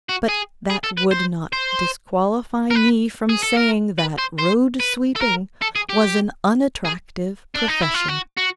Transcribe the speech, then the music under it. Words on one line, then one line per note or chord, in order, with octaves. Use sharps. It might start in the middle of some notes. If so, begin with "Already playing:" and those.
But that would not disqualify me from saying that road- sweeping was an unattractive profession.
F#4
G#4
G#4
A4
B4
C5
C5
A#4
B4
G#4
A4
A#4
B4
C5
C5
B4
A4
A#4
A4
G#4
G4
G#4
D4
D#4
E4
F4
F#4
F#4